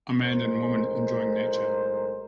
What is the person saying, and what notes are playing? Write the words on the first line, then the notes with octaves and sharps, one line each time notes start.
A man and a woman enjoying nature.
B1 A2 G#3 A#4 C5